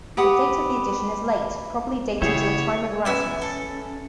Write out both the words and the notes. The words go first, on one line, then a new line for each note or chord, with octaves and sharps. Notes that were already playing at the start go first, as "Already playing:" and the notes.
The date of the addition is late, probably dating to the time of Erasmus.
G4 B4 F#5 D#6
C#3 B3 E4 G4 G#4 C#5 E5 F#5
B3 C#4 E5 G#5
A4